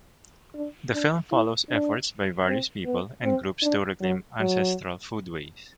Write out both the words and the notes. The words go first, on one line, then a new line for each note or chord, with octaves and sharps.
The film follows efforts by various people and groups to reclaim ancestral foodways.
D4
D4
E4
D4
C4
B3
C4
D4
F#3
F#3